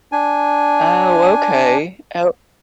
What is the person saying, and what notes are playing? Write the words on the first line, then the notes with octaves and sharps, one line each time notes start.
Oh, okay. Oh,
D4 G#5